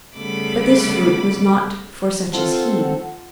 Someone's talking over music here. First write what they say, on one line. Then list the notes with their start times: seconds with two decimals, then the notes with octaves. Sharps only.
But this fruit was not for such as he.
0.16 C#3 G3 A3 B3 B5 D6
2.33 C4 F4 A4 F#5 C6